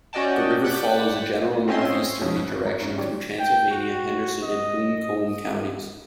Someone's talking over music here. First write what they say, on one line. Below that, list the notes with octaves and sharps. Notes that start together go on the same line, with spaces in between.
The river follows a general northeasterly direction through Transylvania, Henderson, and Buncombe counties.
C#4 F#4 D5 D#5 G5 A5
D5 F#5 F#6 G6 A6 B6
C4 C#4 F4 D#5 E5 C6
F2 G#2 B2 F3 C#4 E4
F#6
G1
A#5
G#2 C#4
D#3 F#3 G3 G4 C#5 D5
G5
F#4
D#5